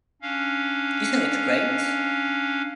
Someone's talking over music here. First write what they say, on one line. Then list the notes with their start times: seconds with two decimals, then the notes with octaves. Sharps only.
Isn't it great?
0.22 C#4 D4 F5